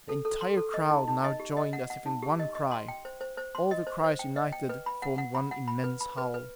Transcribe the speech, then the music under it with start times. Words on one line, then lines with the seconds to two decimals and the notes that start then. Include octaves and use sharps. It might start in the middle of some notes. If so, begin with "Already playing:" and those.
The entire crowd now joined as if in one cry; all the cries united formed one immense howl.
0.09 A4
0.25 A4
0.41 C6
0.57 A4
0.74 D#5
0.91 D#4
1.08 D#4
1.24 D#5
1.40 G4
1.57 D#5
1.73 F#5
1.90 F#5
2.06 D#4
2.23 G4
2.39 D#5
2.55 D#5
2.71 C6
2.88 G5
3.05 C5
3.21 C5
3.37 C5
3.55 C6
3.71 D#5
3.87 C5
4.04 C5
4.19 G5
4.36 D#5
4.53 G5
4.69 B4
4.86 B5
5.02 F#5
5.18 F#5
5.35 B5
5.51 F#5
5.68 B5
5.84 B4
6.01 B5
6.18 B4
6.34 B4